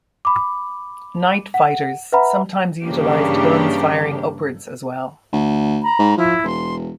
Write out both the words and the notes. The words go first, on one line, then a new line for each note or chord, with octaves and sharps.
Night fighters sometimes utilized guns firing upwards as well.
B5 D6
F#5
B4 E5 F#5 A#5 B5
G2 C#3 E3 A#3 D4 G4
D2
A#5 B5
G#2
F3 E4
E1 C6